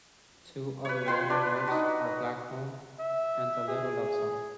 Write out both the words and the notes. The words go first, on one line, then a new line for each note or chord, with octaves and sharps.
Two other well-known works are "Back Home" and "A Little Love Song".
B4 C#5
F4 B4 G5
D4
D#4 F#4
E5
G#4